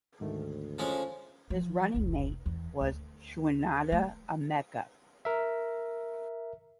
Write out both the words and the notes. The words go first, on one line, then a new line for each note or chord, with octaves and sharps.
His running mate was Chinedu Emeka.
D2 G#2 D#3 A3
F3 G#3 C#4 A4
F3
F1 C#2
E2
D2
A3
A#4 E5